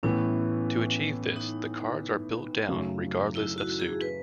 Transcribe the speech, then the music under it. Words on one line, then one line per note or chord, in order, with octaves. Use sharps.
To achieve this, the cards are built down regardless of suit.
A2 E3 B3 C#4
D#4
F#2 C#3 F#3 A3
E4
F#4
G#4
B4